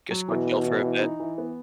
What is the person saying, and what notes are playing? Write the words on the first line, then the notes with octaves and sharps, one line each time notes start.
Just go chill for a bit.
F#3
B2 E3
E3
E3
E3
D#4
E3
B3